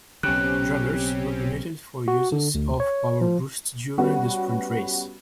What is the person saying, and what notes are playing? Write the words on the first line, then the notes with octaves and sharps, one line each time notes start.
Drivers were permitted four uses of PowerBoost during the Sprint Race.
B1 C#3 C4 C#4 G4 F#6
F#4
D3
D2
C#5
F3
G3 B3 C#4 F#4